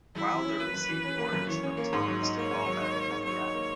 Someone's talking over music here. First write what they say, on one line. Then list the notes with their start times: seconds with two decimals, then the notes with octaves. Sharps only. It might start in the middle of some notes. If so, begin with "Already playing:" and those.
Wilder received orders from Thomas to fall back through the gap.
0.15 F#2 E4
0.30 E3
0.44 C#4
0.59 A#3 B4
0.74 F#2
0.88 E3
1.04 C#4
1.18 A#3
1.33 F#2
1.48 E3 C#5
1.63 C#4
1.77 A#3
1.93 G#2
2.07 F#3
2.22 D#4
2.36 A#3 C#5
2.51 G#2
2.66 F#3
2.80 D#4
2.95 A#3
3.11 G#2
3.25 F#3 C#5
3.40 D#4
3.54 A#3